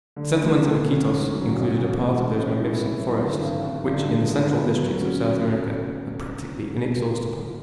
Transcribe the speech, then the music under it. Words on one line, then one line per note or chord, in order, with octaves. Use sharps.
The settlement of Iquitos included a part of those magnificent forests which, in the central districts of South America, are practically inexhaustible.
D3
A3
D2
C#4
G#2
F#3
A1
A1
G#3
C#4
A2
E4
F#2
D3
G#1
G#1
D3
G#3
D2
B3
F#3
C#4